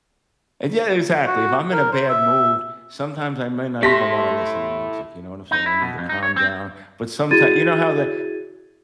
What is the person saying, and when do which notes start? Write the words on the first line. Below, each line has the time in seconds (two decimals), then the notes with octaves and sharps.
And, yeah, exactly, if I'm in a bad mood, sometimes I may not even wanna listen to music, you know what I'm saying? I need to calm down, but sometime you know how the
1.26 F#4
1.72 A#4
1.92 C5
2.09 E5
3.83 E4 G4 A4 C6 A#6 B6
5.51 D#4
5.66 E4
5.82 B2
5.98 F2
6.09 D#4
6.23 C#5
6.36 C4
7.31 E4 F#4 G#4 G#6 A6 D#7